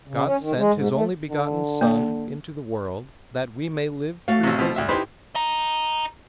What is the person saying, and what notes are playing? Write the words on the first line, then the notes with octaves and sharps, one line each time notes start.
God sent His only-begotten Son into the world that we may live through His merit.
C#3
C#4
D#3
G#3
G#2
A3
D3
A#3
A3 F#4 F5
A1 C3
B2 F3 C4
D2 E5
D#4 E4 G4 B4 C5
D#5 A#5